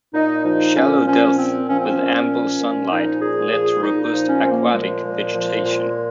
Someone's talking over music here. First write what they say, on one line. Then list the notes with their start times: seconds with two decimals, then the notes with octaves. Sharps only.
Shallow depths with ample sunlight lead to robust aquatic vegetation.
0.14 A#2 D#4
0.44 F3 D#4
0.75 A#2 C#4
1.06 F3 C#4
1.36 A#2 C4
1.67 F3 C#4
1.78 C4
1.88 C#4
1.98 A#2
2.29 F3
2.60 A#2
2.90 F3 D#4
3.20 A#2 G#4
3.51 F3 G#4
3.81 A#2 D#4
4.04 D#4
4.13 F3
4.27 C#4
4.43 A#2 C4
4.50 A#3
4.73 F3 G#3
5.04 A#2
5.35 F3
5.65 A#2